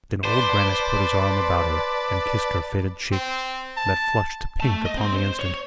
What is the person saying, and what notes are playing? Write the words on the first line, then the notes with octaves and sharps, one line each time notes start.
Then Old Grannis put his arm about her, and kissed her faded cheek, that flushed to pink upon the instant.
B4 C5 D5 A5
C4
A5
A3 A5
D#5
C4 C6
C5
C#5